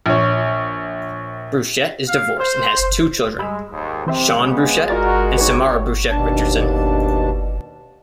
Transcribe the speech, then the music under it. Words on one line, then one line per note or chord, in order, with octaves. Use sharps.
Brushett is divorced and has two children, Sean Brushett and Samara Brushett Richardson.
A#1 C#5
F5
C5
G3 G#3 B5 E6
D#2 G#2
C3 E3 C4 C5 E5
C#3 G#3 B3
F4 F#4 A#4 D5 A6
D#4 G4 B4 C#5
D#2 B2 D4 A5